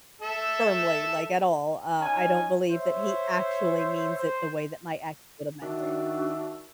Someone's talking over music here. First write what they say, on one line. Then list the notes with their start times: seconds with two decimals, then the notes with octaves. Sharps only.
firmly, like, at all, uh, I don't believe that he actually means it the way that my ex would have meant it.
0.22 A4 E5
2.00 C#4 D#4 G#5
2.71 C5 C#5 E5
4.19 C5
5.62 D#3 D4 F#4 E5